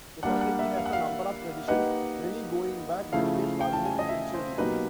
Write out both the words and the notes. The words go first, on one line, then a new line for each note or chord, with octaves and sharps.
The Society has a number of traditions, many going back decades or even centuries.
G3 A#3 D4 F#5
F#5
E5
F5
F#5
F5
A#3 D#4 G4 B4 D#5 F#5
C#3 F3 A3 C#4 E4 F5
G5
A5
G#5
D#5
E5
C5
B2 F#3 A#3 D#4 G4 B4